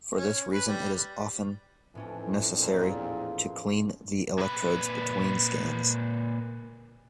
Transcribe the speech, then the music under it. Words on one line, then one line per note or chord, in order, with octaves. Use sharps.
For this reason it is often necessary to clean the electrodes between scans.
C#4
B4
G3
F2 A2 E3 C#4 D4
E2 A#2 F4
A#2 B4